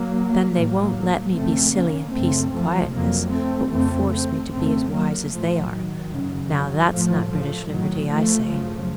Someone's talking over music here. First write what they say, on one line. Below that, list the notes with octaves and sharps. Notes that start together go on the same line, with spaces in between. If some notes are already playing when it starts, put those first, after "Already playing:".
But then they won't let me be silly in peace and quietness, but will force me to be as wise as they are; now that's not British liberty, I say.
Already playing: F#3 A#3
A2 F#3 A#3
F2 C#3 A3 C4
A#3 C#4
F#2 C#3 A3 C4
F3 A3
F2 C3 F#3 A#3
A3 C4
F2 C#3 A3 C4
A3 C4
F2 C#3 A3 C4
F#3 A#3
A2 F3 A3
D#3 F#3
F#2 C#3
D#3 F#3
A2 F3 A3
F3 A3
A2 D#3 F#3
F3 A3
F#2 C#3 F3 A3